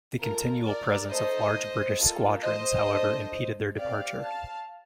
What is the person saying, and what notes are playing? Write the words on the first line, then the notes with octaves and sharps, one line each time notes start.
The continual presence of large British squadrons, however, impeded their departure.
A#3 F4 A4 A#4
A#4 D5
A3 D#4 A4 C5 D#5
A#3 F4 A4
C5 D#5
D4 A4
C4 G4 D5 F5
F5 A5